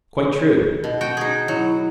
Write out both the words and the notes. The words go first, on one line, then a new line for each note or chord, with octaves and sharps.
Quite true.
B2
F#4 G5
D#4 G#4
F#3 E4